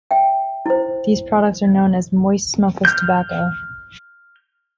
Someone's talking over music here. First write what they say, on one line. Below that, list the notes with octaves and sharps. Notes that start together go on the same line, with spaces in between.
These products are known as moist smokeless tobacco.
E5 G5
E4 C5
F6 G6